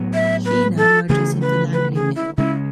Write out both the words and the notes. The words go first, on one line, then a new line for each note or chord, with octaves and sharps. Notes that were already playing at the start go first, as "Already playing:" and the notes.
Heanor merges into Langley Mill.
Already playing: A2 F#3 B3
E5
B4
A4
C#3 E3 A3 C#4 G#4
B4
B4
G#4
E4
C#3 G#3 C#4 E4